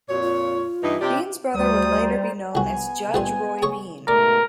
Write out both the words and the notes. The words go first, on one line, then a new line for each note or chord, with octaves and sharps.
Bean's brother would later be known as Judge Roy Bean.
F2 A#2 F#4 C#5
F4
G2 E3 D#4
C3 D4 G4
D2 G3 C5 D5 A#5 D#6
C2 B3 F#4 G#5
A#1 G3 C6
G#4 C#5 C#6
G#2 B2 A3 A#4 D5